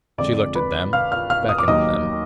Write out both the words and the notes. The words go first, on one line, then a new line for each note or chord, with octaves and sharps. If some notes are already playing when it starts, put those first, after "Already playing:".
She looked at them, beckoned them.
F2 D3 F3 G#3 D5 D6
B4 B5
F5 F6
F5 F6
F5 F6
D#6
D6
D#2 D#3 F#3 D#5 D#6